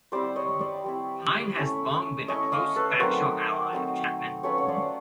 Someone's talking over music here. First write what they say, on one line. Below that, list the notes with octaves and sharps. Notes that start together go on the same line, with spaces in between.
Pyne has long been a close factional ally of Chapman.
G3 C4 E4 C5 D5
C#5 D#5
C5 D5
G3 C4 E4
A3 C#4 E4
A3 C#4 E4 C#5 D#5
D#5 F5
A4 B4
F#3 A3 C4 D#4 A#4 C5
F#3 A3 C4 D#4
F#3 A3 C#4 F4 B4 C#5
C#5
C5 D5